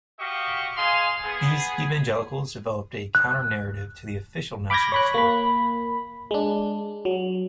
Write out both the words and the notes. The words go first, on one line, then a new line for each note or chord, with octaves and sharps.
These Evangelicals developed a counter-narrative to the official national story.
F#4 G4 D#5 F5 C#6
D#4 G#4 F5 G#5 C6
B3 G#4
F#6
B5 D6 F6 G6 G#6 A#6
C#5 B5 F#6
A#3 B5
G#3 D4
F#3